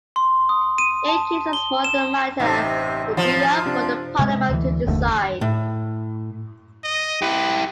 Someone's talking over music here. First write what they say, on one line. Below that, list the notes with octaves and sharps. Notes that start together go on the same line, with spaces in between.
In case of smaller the matter would be up for the Parliament to decide.
C6
D#6
D#7
A5
G7
E7
A1 C3 D#4 C5
F3
C3 D4
C3 G#3
D2 E3
F#1 D#2 D3 A3
A2
D#5
E4 G4 B4